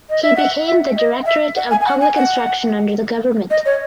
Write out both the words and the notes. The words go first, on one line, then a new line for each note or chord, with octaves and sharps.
He became the Directorate of Public Instruction under the Govt.
D#5
E5
F#5
E5
D#5
E5
F#5
G#5
G#5
F#5
G#5
F#5
D#5
C#5